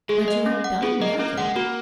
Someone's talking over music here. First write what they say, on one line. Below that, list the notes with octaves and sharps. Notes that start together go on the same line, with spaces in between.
'But you have done nothing.'
G#3 G#4
D#5
C#4
F#5
B3 G#4
A#3 D#5
A#3 C#4
G#3 F#5
A#3 F#4